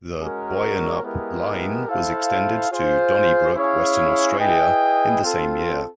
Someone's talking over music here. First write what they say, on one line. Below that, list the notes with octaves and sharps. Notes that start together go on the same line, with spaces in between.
The Boyanup line was extended to Donnybrook, Western Australia in the same year.
G#3 C#4 F#4 A#4 C#5
G#3 B3 E4 G4 A#4
E4 A4 C5 F5
F4 G#4 C5 F5
C#4 E4 G#4 C#5 F5
E4 G#4 B4 D#5 G5
C4 F4 A4